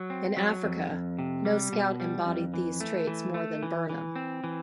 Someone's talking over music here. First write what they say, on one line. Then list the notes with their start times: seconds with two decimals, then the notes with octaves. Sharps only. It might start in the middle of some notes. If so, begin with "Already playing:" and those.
In Africa, no scout embodied these traits more than Burnham.
Already playing: F#3
0.10 C4
0.37 F#3
0.64 F2
0.91 F2
1.19 C3
1.45 G3
1.72 B2
2.00 G3
2.26 F2
2.54 E3
2.81 A3
3.07 E3
3.34 A3
3.63 E3
3.89 E3
4.16 C4
4.44 E3